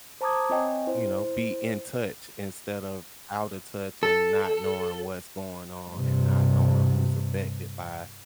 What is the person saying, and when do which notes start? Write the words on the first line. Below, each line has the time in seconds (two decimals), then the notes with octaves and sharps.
you know, be in touch, instead of out of touch and not knowing what's going on and not knowing who's affected by
0.21 C5 A5 A#5 D6 D#6 G#6
0.50 C4 F4 C#5 D#5 G5 G#5
0.87 E4 C5
4.03 A4
5.91 G2 C3